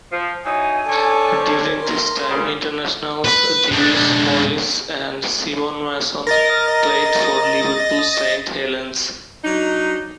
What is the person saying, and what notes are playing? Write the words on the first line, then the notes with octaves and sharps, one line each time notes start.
During this time internationals Dewi Morris and Simon Mason played for Liverpool Saint Helens.
F3
E3 F#3 D#4 G#5
C#4 D4 A4 C#5
C5
A#4 C6
C#3 G3
B4
G#3 D4
A#4 D#5 A6 A#6
F#3 D4 D#4